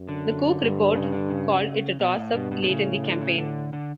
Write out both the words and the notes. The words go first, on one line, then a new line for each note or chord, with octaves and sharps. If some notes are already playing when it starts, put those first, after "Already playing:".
The Cook Report called it a toss-up late in the campaign.
Already playing: F#2
D3
G2
C#3
D3
C#3
B2
A2
G2 B2
B2
B2
A2 C#3
D3
C#3
D3
D3